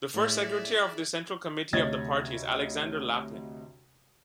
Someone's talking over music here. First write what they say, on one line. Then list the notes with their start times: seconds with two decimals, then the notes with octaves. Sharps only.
The First Secretary of the Central Committee of the party is Alexander Lapin.
0.14 A2 G#4 D5 E5
1.73 D2 C3 C#5 D#5 G#6 A6